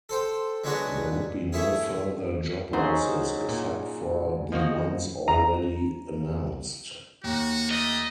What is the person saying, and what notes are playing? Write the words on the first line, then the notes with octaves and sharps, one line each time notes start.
There would be no further job losses, except for the ones already announced.
A4 C5 G5
F#3 G#3 B3 D4 F#4 G#4
A3 E4 G#4
C#3 F#3 D#4 G#4 A#4 C5
A#2
D#3 F3 A#3 F#4 D#5
A#5
D#2 F#4
A3 D#5